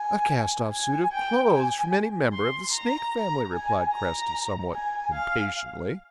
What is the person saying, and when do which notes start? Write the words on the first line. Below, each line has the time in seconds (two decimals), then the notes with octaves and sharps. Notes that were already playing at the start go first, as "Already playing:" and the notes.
"A cast-off suit of clothes from any member of the Snake family," replied Cresty somewhat impatiently.
Already playing: G#5
0.72 G#5
1.12 G5
1.52 G#5
2.32 C6
2.72 A#5
3.13 A#5
3.52 G#5
3.93 A#5
4.73 G#5
5.13 F5